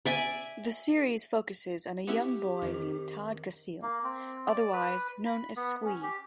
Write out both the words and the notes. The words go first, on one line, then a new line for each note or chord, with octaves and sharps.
The series focuses on a young boy named Todd Casil, otherwise known as Squee.
D5 E5 G#5
B3 C#4 E4 G4
F2 D#3 C4 D#4
A#3
C4
D5
B4
B5
B3
C#4
G4